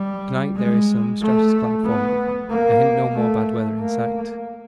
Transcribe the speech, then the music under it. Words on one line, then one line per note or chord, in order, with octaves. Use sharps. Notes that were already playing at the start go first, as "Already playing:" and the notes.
To-night there is some stratus cloud forming--a hint no more bad weather in sight.
Already playing: G3
G#3
A3
B3
A#3
A3
A#3